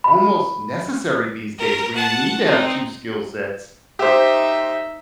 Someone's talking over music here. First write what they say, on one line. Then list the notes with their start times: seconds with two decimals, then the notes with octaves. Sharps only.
almost necessary these days where you need to have two skill sets.
0.04 B5
1.58 A#4
1.95 F#5 A5
2.45 C4 D#4
3.99 D#4 G4 C5 E5